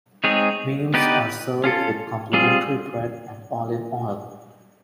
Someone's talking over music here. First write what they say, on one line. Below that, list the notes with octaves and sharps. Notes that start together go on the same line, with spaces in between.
Meals are served with complimentary bread and olive oil.
G#3 C4 D#4 G#4 C#5
B3 D#4 G4 B4 D5
C#4 F4 A4
G3 C4 F4 G#4